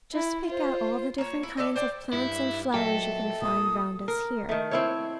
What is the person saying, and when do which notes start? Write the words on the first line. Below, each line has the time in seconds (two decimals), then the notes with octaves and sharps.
Just pick out all the different kinds of plants and flowers you can find round us here.
0.13 E4
0.48 F4 C5
1.18 A#3 C#5
1.43 E4
1.57 E4 A4 D5 D#5
1.76 C5 D5 G5
2.13 G2 E4
2.74 A#2 F#3 A4 D#5 E5 G5
3.42 A#2 D#6
4.08 A#4
4.49 D#3 A3
4.71 C4 E4 C#5